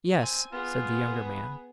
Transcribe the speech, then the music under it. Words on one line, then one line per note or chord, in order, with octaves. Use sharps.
"Yes," said the younger man.
C4 G#5
B3 F4 G#4
B4